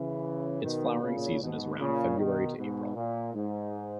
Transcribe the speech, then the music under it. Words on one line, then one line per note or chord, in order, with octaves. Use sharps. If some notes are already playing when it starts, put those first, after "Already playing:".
Its flowering season is around February to April.
Already playing: C#3 E3
B2 D#3
A#2 C#3
G#2 B2
A#2 C#3
B2 D#3
G#2 B2
A#2
G#2